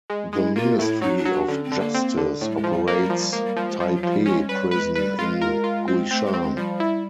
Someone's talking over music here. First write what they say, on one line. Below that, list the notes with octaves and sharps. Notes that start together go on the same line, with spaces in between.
The Ministry of Justice operates Taipei Prison in Guishan.
G#3
G#3 E4
A#3 F4
A2 E4
F#3 D#4
D4
F#3
D4
D3 C#4
C4
D3
A#3
C4
D3
A2 A3
G3
G#3
F3
G3
F#3 A#3
G3
F3
G3
G#3 A#3
G3
F3 G3
G#3
F3 G3
F#3
F3
G3
G#3 C#4
G3 B4
G#3 B4
G3 B4
G#3 F4
A#4
F4
C4
A3 C4
G#3
C4
G#3
F3 G3
E4